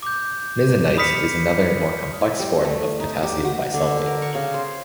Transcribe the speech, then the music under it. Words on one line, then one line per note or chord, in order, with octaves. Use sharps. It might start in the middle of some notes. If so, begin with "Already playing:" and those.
Misenite is another, more complex, form of potassium bisulfate.
D6 G6
B5 D#6 F6 B6 C#7
E4
G3
A3
D#4
G4
F#4
D3
A#4
C#6
C#3
C5